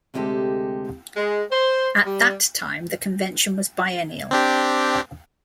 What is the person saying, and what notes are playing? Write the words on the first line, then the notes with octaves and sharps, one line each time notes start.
At that time the convention was biennial.
D2 C3 G#3 D#4 G4 A4
G#3
C5
G3
C4 D4 G4